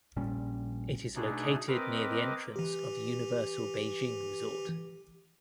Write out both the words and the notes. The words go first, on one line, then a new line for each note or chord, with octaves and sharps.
It is located near the entrance of Universal Beijing Resort.
A#1 A#2 G3 C#4
B2 A3 D4 D#4 G#4
C4 A#4 B4 D#5 D6
E3 G4